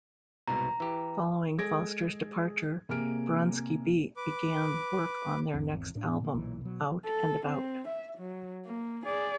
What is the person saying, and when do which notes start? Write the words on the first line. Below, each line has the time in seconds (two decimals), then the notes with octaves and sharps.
Following Foster's departure, Bronski Beat began work on their next album, "Out and About".
0.48 C2 G#2 B2 A#5
0.80 E3 G4
1.58 G#3 G#4 A4 G#6 A#6 D7
2.89 C3 A#3 G#4 G#5 F6 D7
4.17 B4 D6
5.54 G#1 E2 C4
5.95 A2 D4
6.20 A#2 D3 A#3
6.35 B1 A#2 E3
6.61 B2 F#3
7.05 A4
7.46 C4
7.88 E5
8.18 F#3
8.66 A#3
9.06 G#4 D5